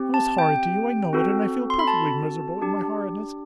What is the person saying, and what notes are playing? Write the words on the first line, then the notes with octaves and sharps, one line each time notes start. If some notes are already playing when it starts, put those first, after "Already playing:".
I was horrid to you; I know it, and I feel perfectly miserable at my horridness.
Already playing: C4 G4
A5
G5
C4 F#4 A4
C6
B5
A5
D4 G4